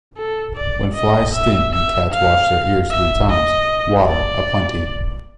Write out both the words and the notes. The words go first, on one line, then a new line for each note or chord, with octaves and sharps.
When flies sting and cats wash their ears three times, water aplenty.
A4
D5
D#5
E5
E5
F5
E5
D#5
D5